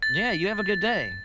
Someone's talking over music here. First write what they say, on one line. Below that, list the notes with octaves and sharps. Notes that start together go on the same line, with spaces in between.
Yeah, you have a good day.
A6